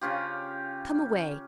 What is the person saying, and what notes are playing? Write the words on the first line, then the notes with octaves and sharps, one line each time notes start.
Come away.
C#3 C#4 F4 G4